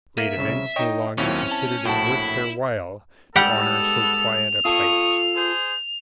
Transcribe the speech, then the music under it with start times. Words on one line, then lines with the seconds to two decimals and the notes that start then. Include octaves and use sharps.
Great events no longer considered it worth their while to honor so quiet a place.
0.18 A#3 E5 D#7
0.37 C2 C#3
0.76 D#4 C#5 D#5 G5
1.18 D#2 F#3 C4 C#4 E4 C#5
1.51 A5
1.85 A#1 A2 E4 F#4 G5 A5
3.36 G#2 G3 B3 G4 A4 F#5 F7
4.65 F4 A4 C#6 D#6
5.34 G#4 C5